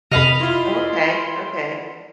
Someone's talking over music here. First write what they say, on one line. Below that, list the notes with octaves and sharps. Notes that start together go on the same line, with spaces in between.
Oh, okay, okay.
F2 C3 D#5 F5 B5 F7
E4 F4 C6